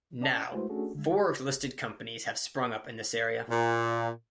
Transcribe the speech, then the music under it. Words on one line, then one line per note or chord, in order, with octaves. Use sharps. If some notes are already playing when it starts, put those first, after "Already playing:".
Now four listed companies have sprung up in this area.
C#4 D5 D#5 A5
G#3 A3 E4 F#4 B4 C5
A3 C#4 D4 F#4 G#4 A4
D3 G#3
A#2